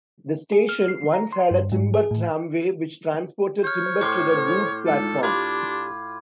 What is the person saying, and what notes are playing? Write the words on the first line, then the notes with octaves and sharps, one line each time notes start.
The station once had a timber tramway which transported timber to the Goods Platform.
G#4
F6
C7
A#5
C6
G2
G#2
G#4
A2
C#5 F6 G6
C5
A2 C6 D6
A4 C5
G#3 D#4 F4 A4
D4 F4 G4 B5 D6 G#6